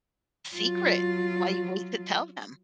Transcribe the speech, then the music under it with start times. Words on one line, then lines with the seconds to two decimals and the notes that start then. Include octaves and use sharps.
secret while you wait to tell them?
0.56 F#3 F4